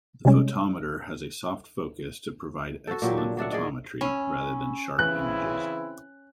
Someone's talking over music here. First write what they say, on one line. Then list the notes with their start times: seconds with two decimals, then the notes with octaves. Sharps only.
The photometer has a soft focus to provide excellent photometry, rather than sharp images.
0.25 C3 G3 G#3 C#4
2.87 F#4 A4
3.02 A#2 F#3 G4
3.17 D4
3.37 F#3 D4 E5 F#5
3.52 G#4 D5 D#5
4.01 C#4 B5 C#6 E6
4.99 C#3 E3 C4 E4 B4 G#5 F#6